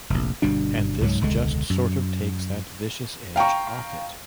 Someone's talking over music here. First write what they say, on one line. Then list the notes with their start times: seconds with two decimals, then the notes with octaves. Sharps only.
And this just sort of takes that vicious edge off it.
0.10 F1 A#1
0.42 G1 B2 G3 D4
1.01 C#2 G#2 F#3
1.21 E1 C#2 D3 G#3
1.70 F#2
3.36 F5 G5 A#5 C#6